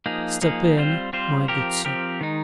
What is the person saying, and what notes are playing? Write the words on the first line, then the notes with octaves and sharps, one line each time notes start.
"Step in, my good sir."
F3 A#3 D#4 G#4
F3 A#3 D#4 G#4
G3 C4 F4 C5
G3 C4 F4 C5
F3 C4 G4 A#4
F3 C4 G4 A#4
D#3 G#3 D#4